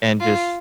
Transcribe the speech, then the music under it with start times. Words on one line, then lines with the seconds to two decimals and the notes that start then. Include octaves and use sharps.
and just
0.20 F4